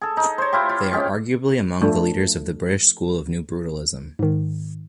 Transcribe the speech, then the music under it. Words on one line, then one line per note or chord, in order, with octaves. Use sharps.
They are arguably among the leaders of the British school of New Brutalism.
G#4 A4
D#4
C5 C#5
E4 F4 G4
F4
G#3 C#4 G4
F3 A3 D4
G#2 D#3